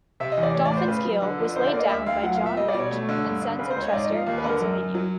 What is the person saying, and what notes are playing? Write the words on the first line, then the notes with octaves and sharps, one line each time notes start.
"Dolphin"s keel was laid down by John Roach and Sons of Chester, Pennsylvania.
C3 E5
D#5
E2
D5
A2 C#5
D5
A2
C5
C#3 B4
F#3
D3
F2
D3 C5
D5
A#3
D#5
D2 E5
D2 F5
F#3 F#5
F5
A#2
E5
G3 D#5
D5
B2
C#5
A3
D3
G2
D3
C#3 B4
C5
C#2
C#5
D#5
G#2 D5
D#5
F3
F5
D#2 F5
B4
D3
A#4
F#2
F#2
F#3